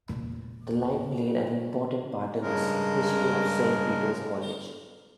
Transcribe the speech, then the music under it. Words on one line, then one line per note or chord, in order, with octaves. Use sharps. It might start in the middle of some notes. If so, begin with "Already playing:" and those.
The line played an important part in the history of Saint Peter's College.
E1 A#2
G2 C#3 G#3 A#4